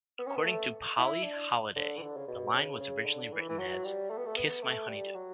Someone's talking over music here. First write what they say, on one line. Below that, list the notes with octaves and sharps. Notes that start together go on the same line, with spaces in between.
According to Polly Holliday, the line was originally written as, Kiss my honeydew!
B3
C#4
B3
A3
E4
D4
D3
E3
D3
C#3
B2
C#3
C#3
D3
E3
E3
F#3
G3
A3
B3
A3
B3
A3
G3
F#3